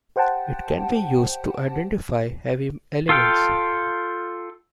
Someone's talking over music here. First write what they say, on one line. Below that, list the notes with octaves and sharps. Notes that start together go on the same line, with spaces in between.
It can be used to identify heavy elements.
G4 C5 F#5 G5 A5
F4 A4 F5 G5